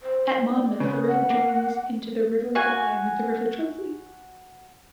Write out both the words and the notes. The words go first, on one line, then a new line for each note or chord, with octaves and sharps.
At Monmouth the river joins into the River Wye with the River Trothy.
C5
D5
C#3 B4
F#5
A#3
F#4 G#5